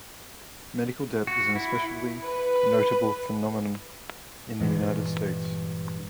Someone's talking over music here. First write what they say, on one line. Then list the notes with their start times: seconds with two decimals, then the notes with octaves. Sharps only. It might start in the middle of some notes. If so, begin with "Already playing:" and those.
Medical debt is an especially notable phenomenon in the United States.
1.27 F#4
1.55 E4
2.22 B4
4.60 G2 A#2 E3 G#3